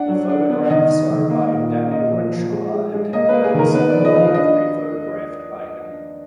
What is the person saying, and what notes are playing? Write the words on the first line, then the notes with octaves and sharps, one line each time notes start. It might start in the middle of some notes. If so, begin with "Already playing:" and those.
The photographs are by Denny Renshaw, and have been assembled and rephotographed by him.
Already playing: D4 F#5
F#3
D4
B3
D#3 D#5
D#3
D#3
A#3
A#2
A#3
A#2 D#5
F3
F3
G#3
G#3
G#3
A#3 D#5
A#3 B4
G#4
D#3 A#4
B3 B4
D5
F3
D#5
F3 F5
D4 D#5